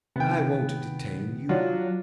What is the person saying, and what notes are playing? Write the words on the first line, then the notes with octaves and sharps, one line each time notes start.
I won't detain you.'
C3 D#3 B3 G5
F#3 D4 F4 F#4